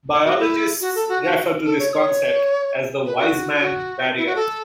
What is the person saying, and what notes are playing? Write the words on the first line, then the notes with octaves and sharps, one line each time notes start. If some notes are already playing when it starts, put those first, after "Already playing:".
Biologists refer to this concept as the Weismann barrier.
F#4
E4
F#4
A4
F#4
F#4
A4
C#5
C#5
B4
F#4
F#4
E4
F#4
A4